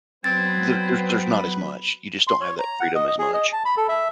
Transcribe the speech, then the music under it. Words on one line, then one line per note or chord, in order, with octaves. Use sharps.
there there's there's not as much, you just don't have that freedom as much.
F#3 B3 C4 B4 G#6 A6
B5
C6
C#5
A#5
F#5
D#5
D#5
G#4
D#5
A5
B5
A4
E5